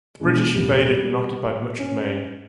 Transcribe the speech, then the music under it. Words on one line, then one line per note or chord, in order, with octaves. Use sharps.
The British invaded and occupied much of Maine.
D2 B2 D3 E3 G#3
E1 A1 G3
G3
C#4